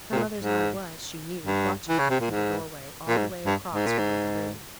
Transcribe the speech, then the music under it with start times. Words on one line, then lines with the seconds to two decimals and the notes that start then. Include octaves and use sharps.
Her mother's eye was, she knew, watching her through the door-way all the way across from the other room.
0.12 C3
0.15 A#2
0.37 G#2
1.45 G2
1.89 E3
1.99 C#3
2.10 C3
2.21 A#2
2.30 G#2
3.08 A#2
3.17 G#2
3.46 G2
3.74 G#2
3.86 A#2
3.98 G#2